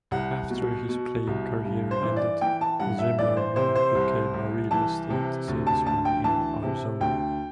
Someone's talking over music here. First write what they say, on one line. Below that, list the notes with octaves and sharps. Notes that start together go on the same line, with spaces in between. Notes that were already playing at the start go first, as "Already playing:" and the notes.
After his playing career ended, Zimmerman became a real estate salesman in Arizona.
C2 F#5
B2
B2
C2
G2
C5
E3
D5
E3 G5
A5
G2 F#5
E5
E3 D5
C5
C3 C5
C5
C2
C2
E3 A5
C3
D2
A5
D2 A5
G5
E3 A5
C3
D2 G5